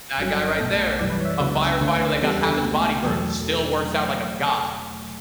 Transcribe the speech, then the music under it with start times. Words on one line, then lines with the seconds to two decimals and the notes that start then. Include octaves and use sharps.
That guy right there, a firefighter that got half his body burned, still works out like a god."
0.18 G1 G2 F#3 C#4
0.60 B1 B2 A3 A5
0.86 F#5
0.99 F#2 E3 G3 D5
1.10 B4
1.21 C#5
1.25 E5
1.30 D5
1.40 C#2 C#3 F#3 B3 D4 B4
1.81 D2 D3 A3 C#4
2.21 E2 C#3 G3 B3 D4 A4
2.31 G4
2.42 A4
2.52 A4
2.62 C#2 B2 A3 F#4
3.03 E2 B2 F#3 A3 G4
3.13 A4